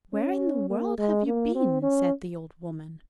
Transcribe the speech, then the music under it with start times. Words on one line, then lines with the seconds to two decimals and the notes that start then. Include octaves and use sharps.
"Where in the world have you been?" said the old woman.
0.13 C#4
0.70 A#3
0.98 G#3
1.26 A#3
1.55 C4
1.82 C#4